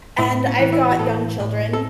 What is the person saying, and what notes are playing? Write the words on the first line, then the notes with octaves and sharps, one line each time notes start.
And I've got young children,
A2 E4
C#4
E3
E4
F#4
A2 A4
A2
A4